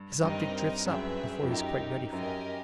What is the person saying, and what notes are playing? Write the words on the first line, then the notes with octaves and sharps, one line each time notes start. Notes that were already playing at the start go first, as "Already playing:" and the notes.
His object drifts up, before he is quite ready for it.
Already playing: G2
G2 C4 D#4 G4 A#4 D#5
F#2 G#4 B4 E5 G5
F2
F#2 D#4 G4 A#4
F#2 G4 A#4 D#5 G#5